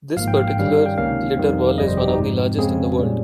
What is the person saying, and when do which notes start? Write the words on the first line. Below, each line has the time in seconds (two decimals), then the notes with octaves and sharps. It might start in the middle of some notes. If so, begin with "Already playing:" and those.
This particular glitter ball is one of the largest in the world.
0.17 G#1 G#2 F3 A#3 F5
0.28 G5
0.37 F5
0.48 G5
0.56 G2 D#3 G3 C#4 F5
0.86 G5
0.97 C#2 C3 D#3 A#3 C#4 F5
1.37 F2 D#3 G3 C4
1.78 G1 F2 C3 G3 D#5
1.88 C5
1.97 G4
2.08 D#4
2.18 G#2 F3 G#3 C4
2.58 F2 C#3 G#3 C4 G#4
2.98 A#2 G3 C#4